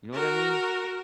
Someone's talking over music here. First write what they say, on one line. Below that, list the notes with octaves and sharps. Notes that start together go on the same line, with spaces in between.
You know what I mean?
F#4 A#4